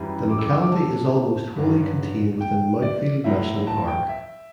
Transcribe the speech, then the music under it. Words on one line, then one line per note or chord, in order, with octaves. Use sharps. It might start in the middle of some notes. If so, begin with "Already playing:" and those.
The locality is almost wholly contained within Mount Field National Park.
Already playing: F#2 E3 G3
D6
E6
D6
E6
D6
A5
G2 F#3
G5
D5
A2 F#3 E5
A5
G5
E5